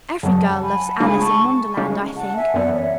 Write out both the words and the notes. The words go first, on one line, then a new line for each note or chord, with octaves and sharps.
Every girl loves 'Alice in Wonderland,' I think.
F#2 C#3 F#3 F#5 A5
F#5 A5
G#5 B5
F#5 A5
C#3 G#3 D4 G#4 G#5 B5
A5 C#6
C#3 G#3 C#4
F#5 A5
E5 G#5
F#2 E3 B3 D5 F#5
C#5 E5